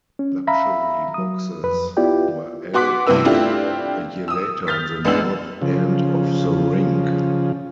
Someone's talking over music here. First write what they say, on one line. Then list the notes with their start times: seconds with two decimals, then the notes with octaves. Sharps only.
Luxury boxes were added a year later on the north end of the rink.
0.19 C#4
0.47 E5 F5 A#5 B5
1.14 F#3 D#6
1.63 F2 B4
1.97 B3 E4 F4 G4 D5 G5
2.73 B3 F#4 C6 D6 F#6 B6
3.07 G2 C3 E3 C4 B4 E6
3.25 A3 C4 D4 E4 F4 G4
4.28 D#6 E6
4.67 F6 G6 A6 B6
5.05 A1 G#3 B3 D4 E6 F#7
5.62 C#3 F3